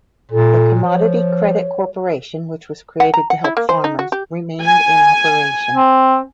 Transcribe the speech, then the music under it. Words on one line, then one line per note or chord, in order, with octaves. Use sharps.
The Commodity Credit Corporation, which was created to help farmers, remained in operation.
A#2 A4
F3 C#5
F#5
A#5
F#5
E4
A#3
C5
D#4
F#4
G4
G#5
C4